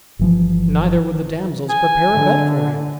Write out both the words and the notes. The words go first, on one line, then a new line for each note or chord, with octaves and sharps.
Neither would the damsels prepare a bed for him.
G1 E3 F3
G#5
D3